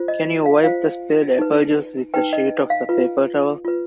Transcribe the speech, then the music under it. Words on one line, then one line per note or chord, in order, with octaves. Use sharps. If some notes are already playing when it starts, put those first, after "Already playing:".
Can you wipe the spilled apple juice with a sheet of the paper towel?
Already playing: F4 C5
D#5
F5
F4 C5 F5
D#4 B4
D#4 B4 G5
D#5
F5
F4 B4
F4 B4